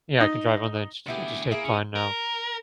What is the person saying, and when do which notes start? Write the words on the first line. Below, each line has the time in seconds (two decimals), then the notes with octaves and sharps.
Yeah, I can drive on the insters interstate fine now.
0.20 D#4
1.06 D2 B3 E4 G4 G#4
1.51 A#3 E4 G#4
1.64 C#4
1.95 A#4